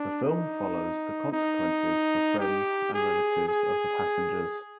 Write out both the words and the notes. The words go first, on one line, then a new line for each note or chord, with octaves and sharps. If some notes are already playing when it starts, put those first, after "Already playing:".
The film follows the consequences for friends and relatives of the passengers.
Already playing: D4
D#4
D#4
G4
G#4
G#4